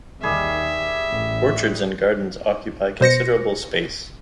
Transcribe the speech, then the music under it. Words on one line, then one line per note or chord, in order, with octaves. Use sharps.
Orchards and gardens occupy considerable space.
D#2 D#3 G3 G#4 E5
A1
B2 C5 A#6 C#7